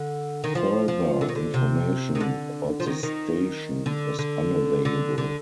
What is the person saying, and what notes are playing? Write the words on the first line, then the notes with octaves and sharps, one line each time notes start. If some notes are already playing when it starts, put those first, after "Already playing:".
Further information about the station is unavailable.
Already playing: D3
D#3
F3
F3
D3
D#3
D3
C3
D#3
D3
F3
D#3
D#3
D3
D3
D3
D3